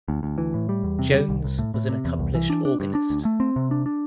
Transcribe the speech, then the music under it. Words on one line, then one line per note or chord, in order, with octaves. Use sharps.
Jones was an accomplished organist.
D2
D2
E3
A2
G3
E2
C3
G3
C2
C2
A2
A2
C3
E2
C2
E3
D4
D4
G2
D4
D2
A3
C4
C3
D4
D4